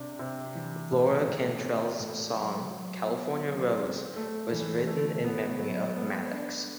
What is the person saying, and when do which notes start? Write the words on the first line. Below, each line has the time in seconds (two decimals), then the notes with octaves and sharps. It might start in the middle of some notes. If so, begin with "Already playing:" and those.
Laura Cantrell's song "California Rose" was written in memory of Maddox.
Already playing: C3 D4
0.19 C3
0.55 E3
0.91 A2
1.27 A2
1.63 C4
2.00 A2
2.36 F#3
2.71 F#3
3.08 B3
3.43 F#3
3.80 C4
4.16 A3
4.52 E3
4.87 A3
5.24 B3
5.60 F#3
5.95 B3
6.32 D4